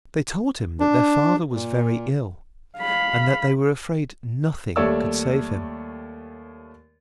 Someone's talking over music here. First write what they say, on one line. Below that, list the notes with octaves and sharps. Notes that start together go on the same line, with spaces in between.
They told him that their father was very ill, and that they were afraid nothing could save him.
D4
A#2
F5 B5
D#2 G3 A3 C#5 D5 E6